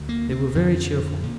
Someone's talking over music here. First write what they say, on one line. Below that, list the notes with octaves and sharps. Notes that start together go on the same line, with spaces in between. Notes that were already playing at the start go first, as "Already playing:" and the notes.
They were very cheerful.
Already playing: D2 D3
A#3
C4
F2 D3
A#2